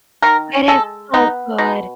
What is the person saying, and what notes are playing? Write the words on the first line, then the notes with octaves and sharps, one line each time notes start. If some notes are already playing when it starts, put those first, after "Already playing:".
it is so good,
D#3 A#4
G#3 A4
B3 D#4
B2 D#4